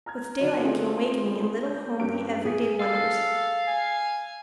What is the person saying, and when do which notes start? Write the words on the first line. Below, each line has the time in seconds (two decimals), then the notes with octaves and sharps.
With daylight came wakening and little homely every-day wonders.
0.06 A#5 F6 G#6
0.39 D3 F#3 D#4
0.64 A3 C4 F4 G#4
1.66 G6
2.00 G2 C4 C#4 D7
2.45 G#4
2.80 A4 F5
3.68 G#5